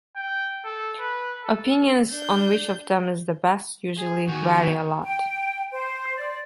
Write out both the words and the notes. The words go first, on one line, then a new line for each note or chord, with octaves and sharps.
Opinions on which of them is the best usually vary a lot.
G5
A4
B4
A4
D4 G6
G#4
E2 D#3 F#4 G#5
G5
C5
D5